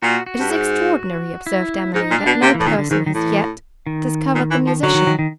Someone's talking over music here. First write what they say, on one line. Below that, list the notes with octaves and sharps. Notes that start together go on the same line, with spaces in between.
'It is extraordinary,' observed Emily, 'that no person has yet discovered the musician.'
A#2 F#4
F#4
G2
G#2
E4
G#2 D#4
A#2
D4
B2
C3 A#3
E3
A2
A#2 D#3
D3
G#2 D#3
D#3
A2 E3
D#3
A#2
E3
F3
D3 F#3
D#3
D#3
D#3